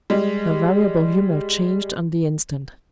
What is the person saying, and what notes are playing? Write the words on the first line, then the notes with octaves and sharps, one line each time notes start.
Her variable humor changed on the instant.
G3 G#3